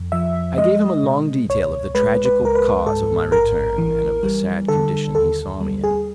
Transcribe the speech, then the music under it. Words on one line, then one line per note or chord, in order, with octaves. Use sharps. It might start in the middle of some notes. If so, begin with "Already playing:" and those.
I gave him a long detail of the tragical cause of my return, and of the sad condition he saw me in.
Already playing: F2
F3 E5
G#3 D#5
B2
C#2 C#5
G#3 B4
B4
C#2 A#4
B4
G#2 A4
A1 A#4
E3
G3
D3 A4
D#2 A4
G3
G#4